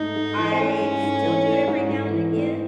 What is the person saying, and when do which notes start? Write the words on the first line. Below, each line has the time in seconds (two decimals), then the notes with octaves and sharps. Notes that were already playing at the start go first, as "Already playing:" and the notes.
I still do every now and again,
Already playing: G#2 A3 D#4
0.16 G#2
0.37 E3
0.52 C4
0.59 A3 C#4
0.80 G#2
1.03 G#2
1.24 E3
1.46 A3
1.68 G#2
1.89 G#2
2.11 E3
2.32 A3 C4